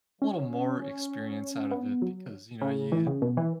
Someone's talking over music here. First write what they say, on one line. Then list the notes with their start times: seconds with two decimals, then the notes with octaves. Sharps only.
a little more experience out of it because, you know, you d
0.22 C#4
1.71 B3
2.02 F#3
2.62 C#3
2.92 E3
3.07 C#3
3.22 B2
3.37 E3